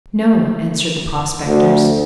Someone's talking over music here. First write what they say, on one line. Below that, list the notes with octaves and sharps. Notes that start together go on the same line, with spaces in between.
'No,' answered the prospectors.
D2